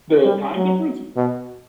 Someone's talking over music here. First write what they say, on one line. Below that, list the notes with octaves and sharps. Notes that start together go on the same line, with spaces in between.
The time difference?
G3
F#3
B2